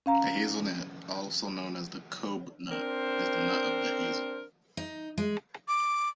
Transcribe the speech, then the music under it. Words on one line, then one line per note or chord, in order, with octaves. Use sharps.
The hazelnut, also known as the cobnut, is the nut of the hazel.
C#4 F5 A#5
C4 D4 A#4 C5
D#4
G#3
D6